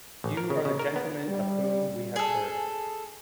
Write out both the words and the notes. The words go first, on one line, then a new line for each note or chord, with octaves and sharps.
You are the gentleman of whom we have heard.
A1
A#4
C#3
C#3
A#4
B3
G3
G#4 A4